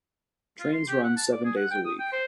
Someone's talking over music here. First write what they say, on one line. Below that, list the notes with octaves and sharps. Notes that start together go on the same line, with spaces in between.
Trains run seven days a week.
F4
C6
G4
F#5
A5
D5
G#4
F#5
G5
D#6
G5
C5